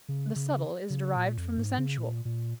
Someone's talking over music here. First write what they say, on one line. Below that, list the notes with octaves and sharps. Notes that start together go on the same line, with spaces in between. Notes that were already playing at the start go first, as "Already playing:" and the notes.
The subtile is derived from the sensual.
C#3
C#3
C#3
A#2
F2
G#2
C#3
A#2
A#2